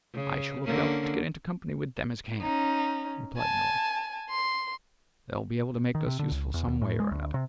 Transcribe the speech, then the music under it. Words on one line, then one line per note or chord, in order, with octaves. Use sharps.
'I shall look out to get into company with them as can,' replied Noah. 'They'll be able to make us useful some way or another.
C#3
D3 A#3 C#4
C#4 D#4
G#5 A5
C6
D#3
C3
D3
C#2
E2
D#2
A2
G#3
D2
C3